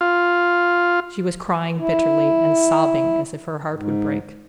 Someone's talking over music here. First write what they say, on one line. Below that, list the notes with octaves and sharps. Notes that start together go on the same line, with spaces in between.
She was crying bitterly, and sobbing as if her heart would break.
F4
E4
G#2